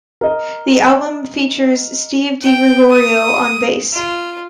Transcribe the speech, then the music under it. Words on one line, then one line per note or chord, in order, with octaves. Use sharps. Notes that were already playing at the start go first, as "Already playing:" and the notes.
The album features Steve DiGiorgio on bass.
A#4 D#5
G5
D#6
F4